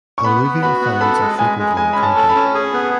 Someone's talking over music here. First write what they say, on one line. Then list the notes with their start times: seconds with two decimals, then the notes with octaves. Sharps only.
Alluvial fans are frequently encountered.
0.18 C#6
0.24 B3 B5
0.43 B3
0.63 F#4 B5
0.82 B3
1.01 A4 B5
1.20 G#3
1.39 G#3 G#5
1.58 G#3
1.77 G#3 G#5
1.93 C#4 B5
2.03 A5
2.16 A4
2.29 B5
2.35 C#4
2.55 G#4
2.73 B3